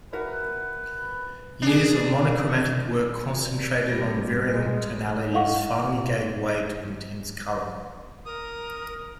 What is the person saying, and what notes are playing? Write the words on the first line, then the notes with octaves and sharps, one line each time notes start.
Years of monochromatic work concentrated on varying tonalities finally gave way to intense color.
F#4 A#4 B4 E5
D4 G#4
G3 C4 A#6
G#3 F#4
E4 A4 D#5 F5 F#5 C#6
A#4 D#6